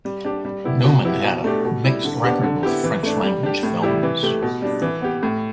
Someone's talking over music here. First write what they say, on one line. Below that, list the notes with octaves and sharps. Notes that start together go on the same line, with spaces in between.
Newman had a mixed record with French-language films.
G3
D4 G4
G3
B3 E4 G4
B2
B3 E4 G4
B2
A3 D4 G4
B2
G3 E4
D3
B3 D4 G4
D3
B3 E4 G4
E3
A3 D4
G3
D4 G4
A2
G3 E4 G4
E3
A3 G4
B2
G3 D4
E3
B3 G4
A2